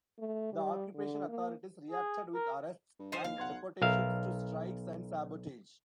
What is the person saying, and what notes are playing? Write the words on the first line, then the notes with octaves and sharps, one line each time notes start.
The occupation authorities reacted with arrests and deportations to strikes and sabotage.
A3
G3
D3
A#3
G#4
A#4
G2
F3 D#4 C5
D#2 F5
B1 F#5 C6 G#6
B1 A#4 E5 F5